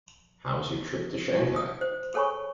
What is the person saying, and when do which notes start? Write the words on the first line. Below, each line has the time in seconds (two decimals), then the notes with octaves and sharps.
How was your trip to Shanghai?
1.55 F4 D#6
1.81 C5
2.14 G#4 A4 C#5 G#5 B5 C#6